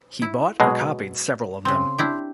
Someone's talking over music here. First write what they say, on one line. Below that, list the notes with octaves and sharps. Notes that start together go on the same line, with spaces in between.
He bought or copied several of them.
E4
B2 F#3 G#3
C#3 C4 C6
D4 E4 G4